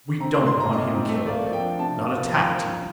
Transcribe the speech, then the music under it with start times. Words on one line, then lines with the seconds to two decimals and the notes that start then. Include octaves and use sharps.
We don't want him killed, not attacked, even.
0.20 C4 A#5
0.34 A3 C6
0.47 C6
0.56 A#2 A#5
0.73 A#2 D#5
0.91 C4
1.08 A3
1.27 A#3 D5
1.44 F3
1.53 G5
1.62 D4
1.79 C3 A5
1.97 A#3
2.15 F3
2.32 A#3 G5
2.50 F3